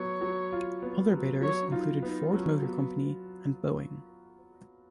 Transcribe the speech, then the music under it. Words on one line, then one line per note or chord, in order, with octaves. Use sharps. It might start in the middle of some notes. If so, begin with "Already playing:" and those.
Other bidders included Ford Motor Company and Boeing.
Already playing: F#3 B3 C#5
F#3
F4
B3
F#3
F#3 C#5
D#4 F4
B3 D#4
F#3 C#4
F#3 B3